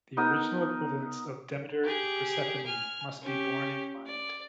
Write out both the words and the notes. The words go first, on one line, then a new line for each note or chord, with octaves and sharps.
The original equivalence of Demeter and Persephone must be borne in mind.
B3 D#4 A#4 D#6
G4 G#4
G#5 F6
C#4 G4
D5